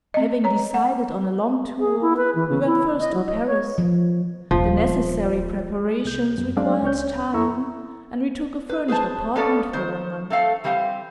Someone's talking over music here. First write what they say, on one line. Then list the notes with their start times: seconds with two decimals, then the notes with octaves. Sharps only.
HAVING decided on a long tour, we went first to Paris; the necessary preparations required time and we took a furnished apartment for one month.
0.14 C4 D#5
0.44 C#5 A#5
0.74 F#5
1.79 G#4
2.01 E4
2.17 B4
2.35 E3
2.49 C#3
2.66 E4
3.00 D#5
3.14 F#3
3.26 D#5
3.47 C#5
3.78 F3
4.51 D#1 F3
6.05 C2 G6
6.38 F#2
6.56 F#3 G#3 C4 D4 D5 F5
6.83 C#2 C#4 C#5 G6
7.33 F2 E4 A4 A#5 C#6 E6
8.69 B4
8.88 G#4 B4 C5 A5
9.36 A#3 B3 C#4 A4 D5
9.73 D#3 C5
10.30 A3 C4 A4 F5
10.64 E3 G3 C4 G4 F5